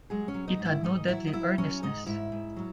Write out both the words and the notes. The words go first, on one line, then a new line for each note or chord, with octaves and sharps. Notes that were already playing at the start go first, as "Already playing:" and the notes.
It had no deadly earnestness.
F#3 G#3 G#4
C#4 C#5
F#3
D#4 D#5
G#2
E4 E5
G#2 D#4 D#5
F#3 E4 E5
D#5
F#3 E4 E5
F#3 C#4 C#5
G#2 D#4 D#5
G#2 E4 E5
G#2
F#3